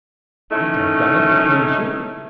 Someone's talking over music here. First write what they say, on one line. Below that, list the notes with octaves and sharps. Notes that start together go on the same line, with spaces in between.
"I'd have done it to please you."
D#3 A3 C#4 D#4 E4